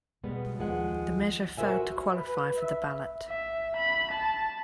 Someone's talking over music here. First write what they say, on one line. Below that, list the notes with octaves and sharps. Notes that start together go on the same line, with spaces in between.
The measure failed to qualify for the ballot.
B2 G3 G#3 B3
D#2 F3 G#3 F#5
F#4 A#4 C5 E5 G#5
B4
E5
E5
B5
A5